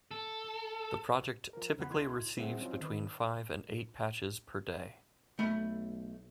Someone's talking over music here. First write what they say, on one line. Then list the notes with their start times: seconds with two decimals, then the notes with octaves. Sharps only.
The project typically receives between five and eight patches per day.
0.11 A4
1.53 F3 A#4
1.78 E2 C#3 B3 F#5 B5 F#6
1.91 C#2 D#4 E4 C6 G#6
2.37 G3 C4 E4 G#4 E5 F#5
2.59 F#3 C4 C#4 D#4 F4
2.80 D#3 B4
5.39 B1 A3 B5